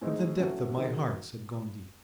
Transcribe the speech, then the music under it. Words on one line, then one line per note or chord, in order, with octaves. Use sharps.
"From the depth of my heart," said Gondy.
A2 G#3 C4 D#4 G#4
A2 F#3 A3 C#4 F#4
D#3 F#3 C#4 G#4